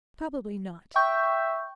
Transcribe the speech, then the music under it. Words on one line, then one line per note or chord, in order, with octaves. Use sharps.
Probably not.
E5 G5 C#6 G6